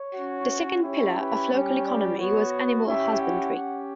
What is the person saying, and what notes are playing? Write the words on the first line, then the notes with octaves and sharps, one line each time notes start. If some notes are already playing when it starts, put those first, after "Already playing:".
The second pillar of local economy was animal husbandry.
Already playing: C#5
C#4 F#4
C#4 E4 G4 C#5
B4
G3 C#4 G4 C#5
D5
B3 F#4 C#5
C#4 E4 G4 E5
F#5
C#4 G4